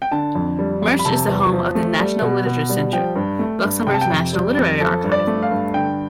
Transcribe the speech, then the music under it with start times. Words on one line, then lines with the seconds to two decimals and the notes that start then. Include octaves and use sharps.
Mersch is the home of the National Literature Centre, Luxembourg's national literary archive.
0.02 G5
0.12 D3 A5
0.35 F2
0.59 G3
0.82 F2
0.99 B5
1.05 C3 A5
1.28 E2
1.52 F3
1.75 A3
1.99 G3
2.22 B2
2.46 B2
2.69 G3
2.93 F3 G5
3.16 G2
3.39 A3
3.64 G2
3.87 C3 G5
3.94 A5
4.01 G5
4.10 F2
4.33 G3
4.57 F2
4.80 F3 A4
5.04 G2
5.12 D5
5.27 A3
5.43 F5
5.51 G2
5.74 D3 G5